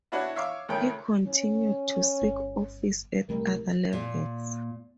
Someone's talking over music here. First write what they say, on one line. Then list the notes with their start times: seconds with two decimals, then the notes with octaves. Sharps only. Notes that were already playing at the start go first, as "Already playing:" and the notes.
He continued to seek office at other levels.
0.12 B3 D4 E4 F#4 B4 C#5
0.36 C#5 E5 F5 C#6 D6
0.69 C#2 D#3 A3 C#5 G5
1.25 C#4
2.21 G1
3.29 C2 G3 A3 A#4
3.93 A#2